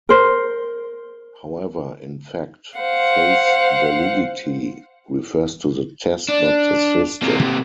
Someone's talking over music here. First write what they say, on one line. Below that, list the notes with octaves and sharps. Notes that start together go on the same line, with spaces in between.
However, in fact "face validity" refers to the test, not the system.
A#4 C5
C5 F5 F#5
D4
C3 A#3